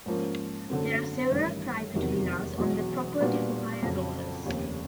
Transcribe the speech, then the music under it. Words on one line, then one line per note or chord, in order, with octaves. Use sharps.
There are several private villas on the property for high-rollers.
G#2 F3 A#3 C#4
F#2 D3 F#3 A3 C4
A1 G2 D#3
F1 E2 C3 D#3 F#3
E1 E2 B2 F#3
A#2 G3 B3 D4 F#4
F2 C#3 F#3
F1 D#2 C#3